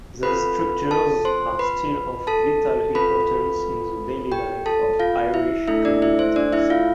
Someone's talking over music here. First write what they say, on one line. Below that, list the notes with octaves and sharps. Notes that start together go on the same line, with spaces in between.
These structures are still of vital importance in the daily life of Irish communities.
C4 F4 A4 B4 B5
A4 A5
C5 C6
B4 B5
A4 A5
C4 F4 A4 B4 B5
G4 G5
A4 A5
F4 F5
E4 E5
A3 D4 E4 A4 E5
D4 D5
E4 E5
C5
D4 D5
E4 E5
F4 F5